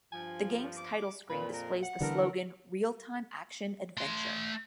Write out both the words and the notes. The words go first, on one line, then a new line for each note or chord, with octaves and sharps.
The game's title screen displays the slogan Realtime Action Adventure.
G2 F3 G#5
D6
F2 A#2 B4
A#4
F#5
D3 E3 G3 B3 A4 A#4
A3 C6